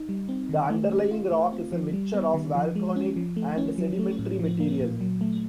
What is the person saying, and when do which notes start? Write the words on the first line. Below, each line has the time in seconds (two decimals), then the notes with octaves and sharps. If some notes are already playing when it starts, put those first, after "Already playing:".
The underlying rock is a mixture of volcanic and sedimentary material.
Already playing: D#4
0.09 G3
0.29 C4
0.49 D#3
0.70 A3
0.91 C#4
1.11 F4
1.32 A3
1.53 C4
1.72 F3
1.93 G3
2.14 B3
2.34 D#3
2.55 F3
2.76 G#3
2.96 C#4
3.16 F3
3.37 A3
3.58 C#4
3.78 F#3
3.99 A3
4.19 A2
4.39 F3
4.60 A#3
4.81 A#2
5.01 F#3
5.21 A3